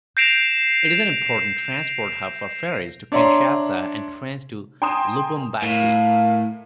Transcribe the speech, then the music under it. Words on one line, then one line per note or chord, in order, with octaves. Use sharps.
It is an important transport hub for ferries to Kinshasa and trains to Lubumbashi.
G6 A#6 C7 D7 E7 F7
D4 C#5 D5 E5 A#5 C6
G5 G#5 A#5 C6 D#6 E7
A2 A#4 F5